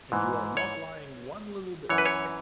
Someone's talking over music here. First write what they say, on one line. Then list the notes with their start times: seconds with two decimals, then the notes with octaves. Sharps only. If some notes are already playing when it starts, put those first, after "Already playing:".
And you are not lying one little bit.
0.12 G#2 E3
0.57 C#5
1.89 F#2 E3 C#5
1.98 B4
2.05 C#5